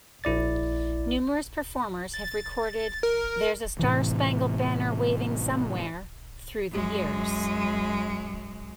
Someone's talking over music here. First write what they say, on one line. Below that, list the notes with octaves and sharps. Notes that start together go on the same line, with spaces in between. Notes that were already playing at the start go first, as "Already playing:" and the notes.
Numerous performers have recorded "There's a Star-Spangled Banner Waving Somewhere" through the years.
A#1 E4 D5 A6
A6
A#4
A2 C3 E3
F#2 G#3